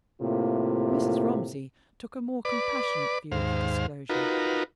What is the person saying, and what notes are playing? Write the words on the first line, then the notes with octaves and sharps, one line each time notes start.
Mrs. Romsey took a more compassionate view of the disclosure.
A2 C3 A#3 F4
B4 D5 D6
D#2 G#2 C5 F5
D#4 F4 F#4 A#4 B4